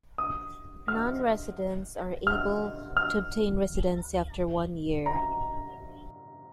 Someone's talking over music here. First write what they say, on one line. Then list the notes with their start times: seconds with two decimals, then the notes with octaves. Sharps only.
Non-residents are able to obtain residency after one year.
0.18 D#6
0.88 F6
2.27 F6
2.97 F6
5.06 A#5